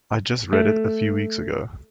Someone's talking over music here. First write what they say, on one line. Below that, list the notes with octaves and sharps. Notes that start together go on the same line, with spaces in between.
I just read it a few weeks ago.
A3